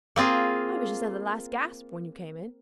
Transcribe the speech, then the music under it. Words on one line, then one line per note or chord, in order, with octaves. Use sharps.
I was just at the last gasp when you came in.
A#3 C4 F4 G#4